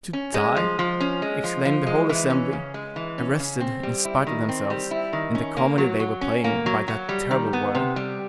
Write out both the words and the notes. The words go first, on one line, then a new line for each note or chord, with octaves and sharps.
"To die!" exclaimed the whole assembly, arrested, in spite of themselves, in the comedy they were playing, by that terrible word.
C#4
G#3
F3
F3
C#4
G#3
F3
F3
G#3
E3
C#4
C#3
G#3
E3
C#4
C#3
C4
G3
E4
D#3
C4
G3
E4
D#3
C#4
A#3
F#3
F#3
C#4
A#3
F#3
F#3
G3
D#3
B3
C3
G3